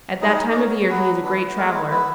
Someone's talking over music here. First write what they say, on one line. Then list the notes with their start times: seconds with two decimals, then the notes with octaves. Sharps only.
At that time of year he is a great traveler.
0.21 G3 D#4 D#5
0.44 D#4
0.51 D5
0.56 C#4 C#5
0.67 B3
0.89 F#3 B3 B4
1.12 D4
1.24 B3 B4
1.35 A3
1.57 G#3 A#3 A#4
1.74 B3 B4
1.80 E4
1.91 B3 B4